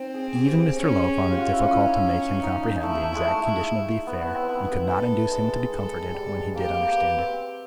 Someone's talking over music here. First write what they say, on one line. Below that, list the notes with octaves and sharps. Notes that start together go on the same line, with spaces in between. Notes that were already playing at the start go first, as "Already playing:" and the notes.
Even Mr. Low found it difficult to make him comprehend the exact condition of the affair, and could not induce him to be comforted when he did understand it.
Already playing: C4 D#4
G#4
G4
G4
G#4
C#4
G4
F4
F#4
E4
C#4 F4
E4
D#4
D#4
D#4
A3 E4
A3
G#3
A3
B3 E4
B3
C4
B3
A4
G#3
G#3
G#3 A4
G#3
G3
G#3
A#3 G4
C4
B3
C4
C4